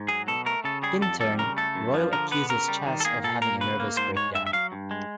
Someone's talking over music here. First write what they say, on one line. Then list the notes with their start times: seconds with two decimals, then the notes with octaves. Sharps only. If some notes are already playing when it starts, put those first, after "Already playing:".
In turn, Royal accuses Chas of having a nervous breakdown.
Already playing: G#2
0.08 F#3 G#4
0.28 B2 A4
0.46 A3 A#4
0.64 C#3 A4
0.83 G3 G#4
1.01 F2 A4
1.20 G3 A4
1.39 C#3 A#4
1.57 A3 A4
1.75 F#2
1.94 F3
2.13 D3 A#4
2.31 B3 B4
2.49 C#3 A#4
2.68 G3
2.87 D#3
3.00 A4
3.05 A#3 G#4
3.24 A#2 A4
3.42 A#3 A#4
3.61 C#3 B4
3.80 A#3
3.97 G#2 C5
4.16 G#3 C#5
4.35 G2 E5
4.47 E5
4.53 F#3 F5
4.72 G2
4.91 G#3